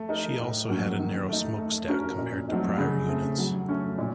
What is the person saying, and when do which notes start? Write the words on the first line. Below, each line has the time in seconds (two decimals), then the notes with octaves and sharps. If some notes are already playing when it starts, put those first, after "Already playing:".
She also had a narrow smokestack compared to prior units.
Already playing: A3
0.09 D#4 A#4
0.38 A2
0.69 F#3 A#3 C#4
0.99 D#3
1.29 A3 D#4
1.58 A3
1.88 C#4 F#4 A#4
2.18 A#2
2.49 F#3 A3 C4 D#4
2.78 C#3
3.08 A3 C4
3.38 F#3
3.69 A3 C#4
3.98 A#2